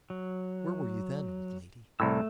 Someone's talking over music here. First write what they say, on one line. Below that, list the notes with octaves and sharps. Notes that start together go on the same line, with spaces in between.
'Where were you then, old lady?'
F#3
C2 A2 A3 E6